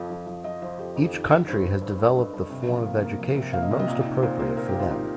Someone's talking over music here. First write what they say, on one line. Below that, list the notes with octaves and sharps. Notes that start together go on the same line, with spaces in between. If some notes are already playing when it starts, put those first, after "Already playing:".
Each country has developed the form of education most appropriate for them.
Already playing: F2 F3
F3
F3
F3 D#5
F3 C5
F2 G4
F2
D#3
D#3
G2 C5
G2
G2
G2
G2 D#5
G2
C3
F3
A#3
A#3
F3
C3
A#3 F5
D#5
C3 F5
D#5
A#2
D#4
A#2 C5
A#3 C5
A#2 A#4
G4
A#2
F4
D#4 F4